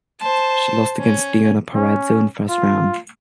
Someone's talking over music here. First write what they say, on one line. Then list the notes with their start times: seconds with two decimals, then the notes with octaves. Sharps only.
She lost against Deonna Purrazzo in the first round.
0.21 C5 A5
0.99 C#4
1.74 C#4
2.49 F4